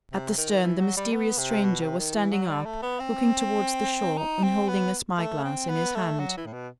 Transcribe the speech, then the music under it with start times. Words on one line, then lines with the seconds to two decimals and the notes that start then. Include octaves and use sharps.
At the stern the mysterious stranger was standing up looking towards the shore, and holding a spy-glass in his hand.
0.12 C3
0.37 D#3
0.62 E3
0.79 F#3
0.96 G3
1.13 B3
1.38 C3
1.64 B2
1.81 C3
1.98 D#3
2.14 E3
2.31 F#3
2.48 G3
2.65 A3
2.82 B3
2.99 C4
4.17 D#4
4.43 C4
4.68 B3
5.18 A3
5.44 C4
5.69 B3
5.95 A3
6.19 F#3
6.37 E3
6.46 A2
6.53 B2